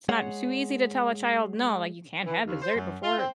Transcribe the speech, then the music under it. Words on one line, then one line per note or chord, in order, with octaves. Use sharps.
it's not too easy to tell a child, "No, like, you can't have dessert before,
G#3 G#4 C#5 F#5
E3
D#2
C5
F#2
F4
C4